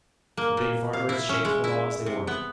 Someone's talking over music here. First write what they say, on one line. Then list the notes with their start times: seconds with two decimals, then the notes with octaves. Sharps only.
The big farmers shaped the laws they wanted.
0.37 A#3
0.57 A#2
0.93 F5
1.09 E4
1.29 C#4
1.45 G#3
1.64 E4
2.06 C3
2.27 B3